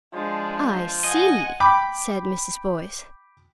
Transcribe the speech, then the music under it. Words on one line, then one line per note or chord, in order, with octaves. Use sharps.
"I see!" said Mrs. Boyce.
F3 G#3 D4
D#5 F#5 G#5
G5 B5 D6